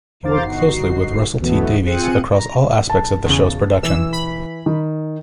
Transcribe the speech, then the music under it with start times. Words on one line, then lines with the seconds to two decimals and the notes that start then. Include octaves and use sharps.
He worked closely with Russell T Davies across all aspects of the show's production.
0.23 E2 A#4 C5 F5 D6 A6
0.43 G1 D#4 F#4 C7
1.40 D2 B2 E3 F#3 A3 B3
1.86 C4 F4 G#4 F#6 C#7 D#7
2.34 A#5
2.90 A5
3.25 E2 C#3
3.83 E3 E6
4.13 B5
4.66 D#3